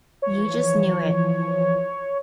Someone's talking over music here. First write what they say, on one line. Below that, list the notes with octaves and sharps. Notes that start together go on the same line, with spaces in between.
You just knew it.
E3 F3 C#5